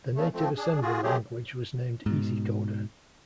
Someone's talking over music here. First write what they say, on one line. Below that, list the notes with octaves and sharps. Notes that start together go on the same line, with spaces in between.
The native assembly language was named Easycoder.
E2 C#3 A3
F3 A3 C4
D4 G#4
F4 F#4 G#4
C3 F#3 A3 C4 G4 G#4
G#2 B2